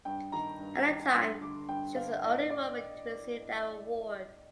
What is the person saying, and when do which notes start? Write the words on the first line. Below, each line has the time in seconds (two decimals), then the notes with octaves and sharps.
At the time she was the only woman to receive that award.
0.05 G2 G5
0.32 D#3 A#5
0.60 G2
0.87 D#3
1.15 G2 C6
1.41 D3 D6
1.68 G2 G5
1.95 D3 F5
2.23 A2 D#5
2.50 D5